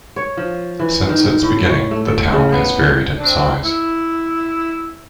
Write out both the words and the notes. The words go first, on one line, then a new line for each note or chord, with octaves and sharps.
Since its beginning, the town has varied in size.
C#5
F3
E3
D#3
D#3
A2
C#5
A3
A4
C#3
B3
C4 D4
E4